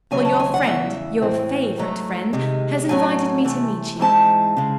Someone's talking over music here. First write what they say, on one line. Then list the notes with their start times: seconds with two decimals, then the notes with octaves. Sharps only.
Well, your friend, your favorite friend, has invited me to meet you.
0.11 D#2 C#3 F#3 C#4 G#5
0.25 A5
0.40 G#5
0.54 F#5
0.67 E2 C#3 E3 E5
1.22 A2 E3 C4
1.78 G#2 F#3 A3
2.33 C3 D#3 G#3
2.88 A2 F#3 A3 C#4 G#5
3.44 C3 E3 A3
3.99 G#2 E3 G#3 C4 A5
4.57 C#3 G#3